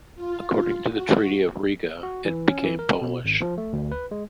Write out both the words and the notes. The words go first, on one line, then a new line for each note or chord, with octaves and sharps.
According to the Treaty of Riga, it became Polish.
F4
F#4
F#4
E3
C#4
E3
A#4
B2
G#1
F3
A3
D2
B4
G#3